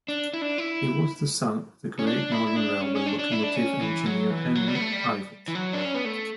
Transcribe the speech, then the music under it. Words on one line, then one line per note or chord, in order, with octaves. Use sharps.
He was the son of the Great Northern Railway locomotive engineer Henry Ivatt.
D4
E4
D4
E4
C#4
D4
E4
E4
D4
C#4
C#4
D4
D4
E4
D4
C#4
E3
F#3
E3
F#3
G3
B3
A3
G3
E3
F#3
D4
C#4
B3
A3